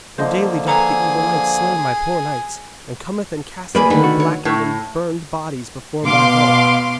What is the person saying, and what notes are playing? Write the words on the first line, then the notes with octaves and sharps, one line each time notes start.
For daily doth the evil knight slay my poor knights, and cometh and casteth their blackened and burned bodies before my hall.
D3 F3 A#3 C5 D#5
G#4 A4 B4 A#5
D2 A#3 G#4 B4 D5 B5
D3 D#3 A3 B4
F#4
C#5
A2
B2 F5 C6 D6